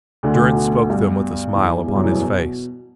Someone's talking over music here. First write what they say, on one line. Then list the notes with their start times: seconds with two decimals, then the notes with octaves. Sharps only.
Durrance spoke them with a smile upon his face.
0.23 D2 D3
0.34 D2 D3
0.45 B2
0.56 B2
0.90 G2 G3
1.55 E2 E3
1.87 G2 G3
1.95 F#2 F#3
2.03 E2 E3
2.12 B2